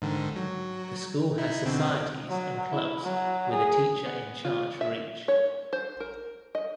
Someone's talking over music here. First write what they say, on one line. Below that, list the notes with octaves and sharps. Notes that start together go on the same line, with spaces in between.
The school has societies and clubs with a teacher in-charge for each.
G#2 D3 D#3
F#3
D#4 E4
B2 D3 C4
F#3
E4
F#3
G#4
B3
F4
E5
C#5
C5
A#4
D#5